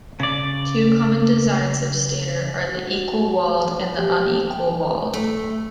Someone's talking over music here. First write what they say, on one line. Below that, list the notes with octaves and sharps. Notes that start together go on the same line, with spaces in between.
Two common designs of stator are the "equal-walled" and the "unequal-walled".
C#3 D5
F#4
G4
G5
A3